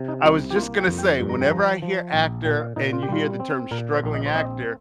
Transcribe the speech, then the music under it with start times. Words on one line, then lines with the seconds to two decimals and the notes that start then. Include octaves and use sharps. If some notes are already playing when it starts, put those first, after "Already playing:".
I was just gonna say, whenever I hear actor, and you hear the term, "struggling actor,"
Already playing: C3
0.08 D#4
0.24 C2 F4
0.50 G4
0.56 A#3 F4
0.77 G5
0.87 F2
0.99 G5
1.20 G2
1.29 A#5
1.41 G5
1.51 F3 A#5
1.82 F3
2.14 A#1
2.45 A#2 G5
2.61 F5
2.76 A#2 D#4
2.93 F4
3.03 G4
3.09 G3 F4
3.40 C4
3.71 A#2 A#4
3.93 C5
4.04 A#1
4.14 D#5
4.26 C5
4.35 C4 D#5